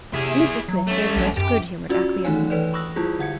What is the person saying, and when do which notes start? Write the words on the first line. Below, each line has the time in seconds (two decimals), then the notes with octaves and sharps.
Mrs Smith gave a most good-humoured acquiescence.
0.14 C3 E4 G#4
0.68 F#3
0.87 A3 C#4
1.16 A#1
1.37 F#2 G4
1.89 C#4 F4 F#4 D5 E6
2.25 D#3 E3 A3 D#4 C#5 G#5
2.50 E3 B4 C#5 D5
2.73 B5 C#6 D#6 E6 F#6 A#6
2.96 G3 E4 F4 G#4
3.19 D3 F#5 G#6 C#7